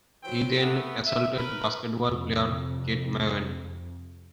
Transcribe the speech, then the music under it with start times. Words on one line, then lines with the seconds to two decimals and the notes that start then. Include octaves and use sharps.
He then assaulted basketball player Kate McEwen.
0.24 E3 F#3 C4 C5 G5
0.60 A3 B3
1.06 E5
1.37 A#4 B4
2.04 F2 C3